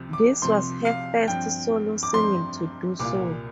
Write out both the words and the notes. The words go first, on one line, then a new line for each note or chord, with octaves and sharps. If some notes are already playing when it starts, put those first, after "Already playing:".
This was her first solo single to do so.
Already playing: C2 C3 F3 C4
D6
C2 C3 F3 C4 C6
F5
G2 F3 C4 G5
D6
G2 F3 C4 C6
C2 A#2 A#3 F4 D6